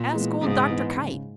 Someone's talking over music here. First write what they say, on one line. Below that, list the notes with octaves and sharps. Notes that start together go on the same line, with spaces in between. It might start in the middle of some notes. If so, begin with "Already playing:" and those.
Ask old Dr. Kite.
Already playing: A#2
E3 G#3 B3
G#2 C#3
E3 G#3 B3
C#3